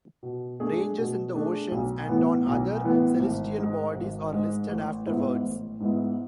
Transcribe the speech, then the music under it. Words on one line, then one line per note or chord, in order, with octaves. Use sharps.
Ranges in the oceans and on other celestial bodies are listed afterwards.
B2
A3 D4 G#4
B2
A3 D4 G#4
B1
A2 E3 B3
B1
A2 E3 B3
G#1
G#2 G#3
G#1
G#2 G#3
A1
G#2 G#3 B3 E4
A1
G#2 G#3 B3 E4